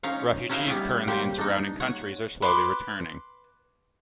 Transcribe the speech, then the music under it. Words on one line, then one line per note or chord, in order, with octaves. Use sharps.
Refugees currently in surrounding countries are slowly returning.
C#4 D#4 C#5 F5
C#4 D#4 E4 B4 F5
G3 B3 C#4 E4
G3 A#3 G4 C5
D4 D#4
C#5 F#5
B4 C6 D6